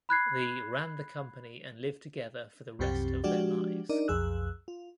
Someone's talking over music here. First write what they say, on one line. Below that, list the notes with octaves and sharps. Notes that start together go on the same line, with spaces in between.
The ran the company and lived together for the rest of their lives.
B5 F#6 G#6 C7
C2 F#2 C3 C4 G4 A6
F3 G#3 D4 F#4 G4 D5
D4 D#4 A#4 D5
B1 F2 G#4 E6 F#6
F4